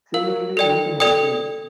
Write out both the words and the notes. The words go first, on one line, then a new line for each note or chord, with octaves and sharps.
Seemingly, nothing has changed.
A#4 F5
A4 D5 G5
A4 D5 G5 D#6